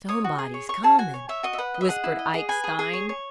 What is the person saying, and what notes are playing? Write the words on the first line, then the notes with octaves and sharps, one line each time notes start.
"Somebody's comin'!" whispered Ike Stein.
C#5 D#6
F#4
G#4
C#5
C#5 C#6
G#4 A5
F#4 G#5
C#5
C#5 E5
F#4 D#5
E5
B4 F#5
D#5
E5
G#4 F#5
E4
D#5
G#4
B4 G#5
G#4
G#4
C#5
C#5